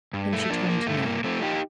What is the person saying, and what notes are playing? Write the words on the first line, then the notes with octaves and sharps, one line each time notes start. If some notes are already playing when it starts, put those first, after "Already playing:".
Then she turned to me.
G2
A3
F3 A#3 D4
A#3
G2 A3
A#3
F3 A3 C4
D#4 G4